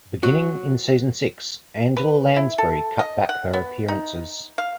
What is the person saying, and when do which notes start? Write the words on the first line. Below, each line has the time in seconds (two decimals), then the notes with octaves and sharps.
Beginning in season six, Angela Lansbury cut back her appearances.
0.23 F#3 F#4
1.97 B4
2.36 E4
2.58 A4
2.99 D#5
3.29 F#5
3.53 B3
3.88 D#4
4.58 F5